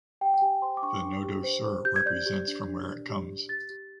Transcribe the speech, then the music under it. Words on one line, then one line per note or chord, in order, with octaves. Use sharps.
The Nodo Sur represents from where it comes.
G4 G5
G5
G4 G#5
C5 C6
D6
D4 C#6
D4
G4
C5
C5
G4 G6
G#6
D5 G6
G4
D4
D4
D5
G4
G4
G4 A6
G4